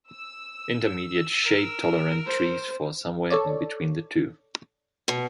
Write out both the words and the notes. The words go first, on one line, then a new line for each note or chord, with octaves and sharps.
Intermediate shade-tolerant trees fall somewhere in between the two.
E6
A#4
C5
A4 C#5 D5
B2